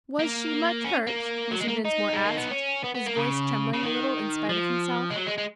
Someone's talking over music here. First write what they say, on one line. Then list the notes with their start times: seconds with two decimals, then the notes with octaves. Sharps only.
"Was she much hurt?" Mr. Dinsmore asked, his voice trembling a little in spite of himself.
0.19 A#3
0.85 C#4
1.07 A#3
1.51 F#3
1.60 G#3
1.68 A#3
1.85 D#4
2.13 G#3
2.25 A#3
2.38 B3
2.50 C#4
2.84 B3
2.95 B3
3.06 A#3
3.16 C#3
3.74 C#3
3.83 D#3
4.49 F3
5.10 G#3
5.16 F#3
5.26 G#3
5.38 G#3